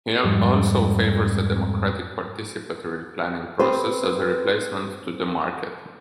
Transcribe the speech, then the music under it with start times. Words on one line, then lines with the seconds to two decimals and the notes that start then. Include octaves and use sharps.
He also favors a democratic participatory planning process as a replacement to the market.
0.24 F2 G#2 G3
3.59 C4 G4 B4 C5